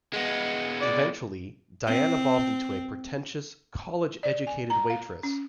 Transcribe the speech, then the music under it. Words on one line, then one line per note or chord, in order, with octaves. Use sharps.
Eventually, Diane evolved into a pretentious, college-educated waitress.
G#3 B3
D5
C4
D5
G#5
A#5
F5
C#4